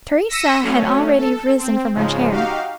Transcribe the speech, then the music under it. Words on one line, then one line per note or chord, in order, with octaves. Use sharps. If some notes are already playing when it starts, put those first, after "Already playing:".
Teresa had already arisen from her chair.
E6 A#6 B6 C#7 D#7 E7
F#3 A3 C#4
A4
C4
G#2 C#3 F3 G#3
D#4 F#4 G4 F5